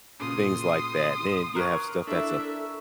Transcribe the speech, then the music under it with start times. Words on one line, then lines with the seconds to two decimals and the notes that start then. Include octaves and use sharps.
things like that. Then you have stuff that’s, uh
0.20 A#2 C#3 C6 D#6
1.55 A#4 C#5 F6 F#6 D7
2.07 D4 E4 A4 E5